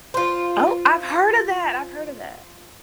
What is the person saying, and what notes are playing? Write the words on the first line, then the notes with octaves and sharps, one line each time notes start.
Oh, I've heard of that! I've heard of that.
F4 C5